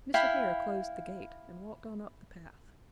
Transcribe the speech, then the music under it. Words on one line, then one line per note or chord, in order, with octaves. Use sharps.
Mr. Hare closed the gate and walked on up the path.
E4 F5 G5 B5